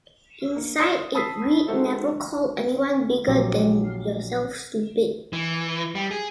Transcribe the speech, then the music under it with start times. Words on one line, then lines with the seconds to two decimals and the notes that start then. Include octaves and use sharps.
Inside it read "Never call anyone bigger than yourself stupid".
0.56 A#3
0.79 D5 C6 D#6 E7
1.14 A5 B5 D#6 E6 B6 C7
1.67 G#3 D#4 F#4 A4 C5 E5
3.28 A#1 F#3 G4
5.33 E3
5.95 G3
6.11 G#4